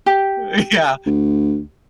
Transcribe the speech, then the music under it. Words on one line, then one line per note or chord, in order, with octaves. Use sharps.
Uh, yeah,
G4
D2